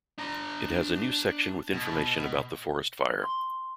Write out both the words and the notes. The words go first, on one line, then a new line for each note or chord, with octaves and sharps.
It has a new section with information about the forest fire.
D4 A#5
B2
C6